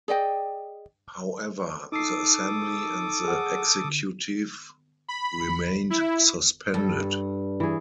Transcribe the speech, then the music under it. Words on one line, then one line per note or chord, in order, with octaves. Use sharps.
However, the Assembly and the Executive remained suspended.
G#4 D5 D#5 G5
D#4 A4 D6 D#6 C7
G#4 F#5
D3
B5
E4
G2 A4
E3 G#4